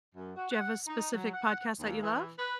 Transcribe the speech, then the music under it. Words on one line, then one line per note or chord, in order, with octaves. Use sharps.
Do you have a specific podcast that you love?
F#2
F#4
F#5
D#4
F#3
F#5
D#2
E3
B4